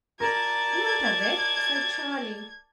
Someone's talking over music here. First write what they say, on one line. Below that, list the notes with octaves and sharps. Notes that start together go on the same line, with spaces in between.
"Not a bit," said Charlie.
A#4 D5 A5 G#6